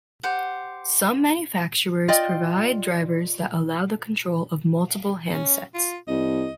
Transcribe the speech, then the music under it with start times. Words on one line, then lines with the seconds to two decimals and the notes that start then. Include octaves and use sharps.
Some manufacturers provide drivers that allow the control of multiple handsets.
0.23 G4 C5 F#5
2.08 F4 D5 D#5 G5
5.33 C#4
5.75 F4
6.08 C2 D#5